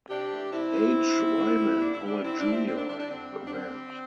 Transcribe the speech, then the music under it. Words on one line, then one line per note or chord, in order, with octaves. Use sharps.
H. Wyman Howard Junior in command.
C3 D4 G4
E3 A3
C3 C4 E4
E3 A3
D3
G3
D3
G3
D3 D4
E4
G3 D4
D3 C4 E4
D4
G3
C4 E4
D3 C4
D4
G3 D4
D4
D3 C4
G3
D4
D3 C4
G3